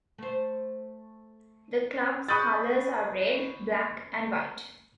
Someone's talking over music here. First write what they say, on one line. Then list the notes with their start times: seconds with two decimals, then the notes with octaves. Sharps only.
The club's colors are red, black and white.
0.18 A3 C5
2.29 B5 C#6 D#6 F#6 G6 A6